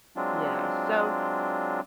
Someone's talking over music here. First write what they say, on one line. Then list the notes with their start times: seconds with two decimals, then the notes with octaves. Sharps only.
Yeah, so,
0.16 F#3 G#3 C4 D4 F4